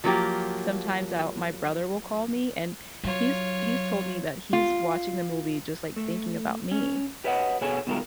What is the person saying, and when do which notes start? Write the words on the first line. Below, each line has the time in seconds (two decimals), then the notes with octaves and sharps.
sometimes, I'll my brother will call me, and he's he's told me that he's watching the movie just, like, thinking about me.
0.04 F3 F#3 A#3 F4 G4
3.03 F#3 F4 C#5
4.53 F4
5.96 A3
6.71 C#4
7.24 G4 B4 C#5 D#5 F5 F#5
7.61 B2 B3 G#4 A4 C#5 G#5
7.87 B2 D#3 G3 G#3 F4 A#4